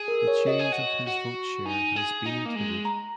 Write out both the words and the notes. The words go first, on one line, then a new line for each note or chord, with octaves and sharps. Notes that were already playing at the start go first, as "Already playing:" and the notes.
The change of his vote share has been included.
Already playing: G#4
A#4
C#5
F#4 D#5
G#4
F#4
F#4
D#4 G#5
G#4
D#4
A#3
G#3
A#5